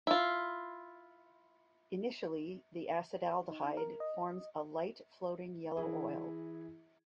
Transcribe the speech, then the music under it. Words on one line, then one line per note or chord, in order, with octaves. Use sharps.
Initially, the acetaldehyde forms a light floating yellow oil.
E4 F4
D#4
A#4
D#5
E3 E4 G#4